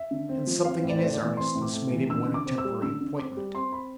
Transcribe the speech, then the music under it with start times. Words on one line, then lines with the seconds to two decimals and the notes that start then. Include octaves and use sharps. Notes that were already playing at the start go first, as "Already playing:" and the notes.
And something in his earnestness made him win a temporary appointment.
Already playing: E5
0.11 D3
0.29 C4
0.47 F3
0.64 C4 F5
0.83 A2
0.89 D5
0.97 C5
1.01 A3 D5
1.13 D5
1.19 E3
1.37 C4 C6
1.55 A2
1.62 D6
1.73 A3
1.91 E3
2.10 D3 E6
2.28 D3
2.34 D6
2.46 C4
2.58 E6
2.65 G3
2.82 D3 E6
3.00 D3
3.19 C4 D6
3.37 G3
3.54 C4 C6
3.72 B5